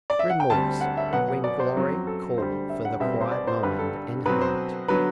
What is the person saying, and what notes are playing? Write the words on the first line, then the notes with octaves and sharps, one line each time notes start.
Remorse, when Glory called for the quiet mind and heart!
D5
E5
F#5
G5
D2 D3 G3 C4 A5
F#5
E5
B2 F#3 B3 F#5
F#5
D5
C5
F#2 F#3 C4
A4
D2 D3 G3 C5
E5
F#5
B2 G3 C4 E5
C5
D5
C5
G2 D3 G3 B4
A4
B2 F#3 C4 B4
C5
D3 F#3 B3 B4